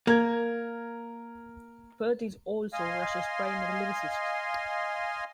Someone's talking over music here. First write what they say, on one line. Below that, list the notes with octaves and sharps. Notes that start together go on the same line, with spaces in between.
Peart is also Rush's primary lyricist.
A#3 A#4 G#6
D#5 F5 G#5 C6